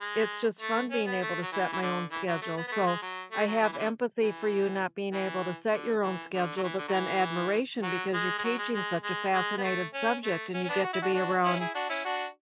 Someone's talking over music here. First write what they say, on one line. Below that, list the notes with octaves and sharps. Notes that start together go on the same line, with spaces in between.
it's just fun being able to set my own schedule so, I have empathy for you not being able to set your own schedule, but then admiration because you're teaching such a fascinated subject, and you get to be around
G#3
A3
C#4
B3
A3
F#3
E3
E3
D3
E3
F#3
A3
B3
B3
A3
G#3
F#3
A3
F#3
E3
E3
D3
E3
E3
D3
E3
D3
F#3
E3
D3
F#3
E3
F#3
G#3
G#3
F#3
G#3
G#3
G#3
G#3
B3
A3
C#4
A3
C#4
C#4
B3 D4
F#4
E4
D4 F#4
D4 F#4
C#4 E4
E4 G#4
D4 F#4
C#4 E4
D4 F#4